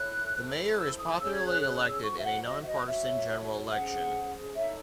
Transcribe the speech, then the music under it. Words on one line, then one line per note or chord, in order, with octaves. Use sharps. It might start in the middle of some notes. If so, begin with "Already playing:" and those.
The mayor is popularly elected in a nonpartisan general election.
Already playing: E4 A4 C#5 F#6
E4 A4 C5
E6
D#6
C#4 G#4 C#5 E6
G#6
F#6
F#6
F#6
E6
F#4 C5 C#6
E5
F#5
D#5
E5
D#5
F#4 C#5 E5
C#4 G#4 C5 F#5
D#4 A4 C#5 E5